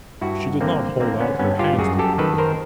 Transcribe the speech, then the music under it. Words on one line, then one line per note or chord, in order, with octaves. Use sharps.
She did not hold out her hand to him.
G2 E4 F#4
D3 A#3 C4
D3 A#3 C4
B3 C#4
G2 B3 C#4
F4 G4
F#2 F#4 G#4
G4 A4
D#3 A4 B4
A#4 C5